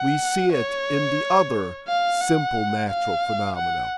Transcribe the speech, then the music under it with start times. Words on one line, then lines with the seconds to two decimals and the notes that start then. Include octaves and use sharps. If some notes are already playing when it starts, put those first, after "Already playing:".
We see it in the other simple natural phenomena.
Already playing: F#5
0.52 C#5
1.88 F5
2.21 F#5
2.89 F5
3.56 F#5